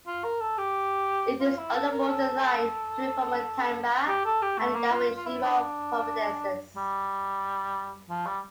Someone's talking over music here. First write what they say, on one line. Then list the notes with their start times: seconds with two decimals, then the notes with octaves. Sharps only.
It is on the border line between former Tanba and Yamashiro providences.
0.07 F4
0.24 A#4
0.40 A4
0.58 G4
1.40 F4
1.58 E4
1.74 A4
1.92 A#4
2.07 A4
4.08 G4
4.25 A4
4.42 G4
4.58 A3
4.76 A#3
4.92 F4
5.17 F4
5.26 E4
5.43 D4
6.76 G3
8.09 F3
8.26 G3